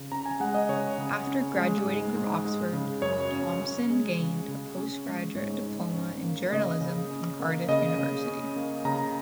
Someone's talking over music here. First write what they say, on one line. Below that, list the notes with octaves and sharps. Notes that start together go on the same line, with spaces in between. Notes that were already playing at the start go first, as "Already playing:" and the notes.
After graduating from Oxford, Thomson gained a Postgraduate Diploma in Journalism from Cardiff University.
Already playing: C#3
C#4 A#5
G#5
G#3 F#5
D#5
C#3 C#5
C#3
C#4
G#3
G#2
G#2
G#3
C#3
F#2 C#5
C#4
C#4
G#3
C#3
C#3
C#4
G#3
G#2 C#5
G#2
C#4
A#3
C#3 D#5
C#3
C#4
A#3
C#3 D#5
C#3
C#4
A#3
C#3 A#5